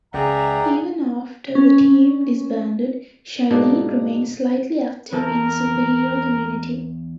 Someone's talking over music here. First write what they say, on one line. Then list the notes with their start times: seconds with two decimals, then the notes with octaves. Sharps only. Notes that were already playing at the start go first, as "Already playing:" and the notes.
Even after the team disbanded, Shyleen remained slightly active in the superhero community.
0.14 C#2 G#4 D5 E5 F#5 G5 A#5
1.55 C#4
3.51 G#2 B2 A#3 D4
5.13 E2 A4 A#4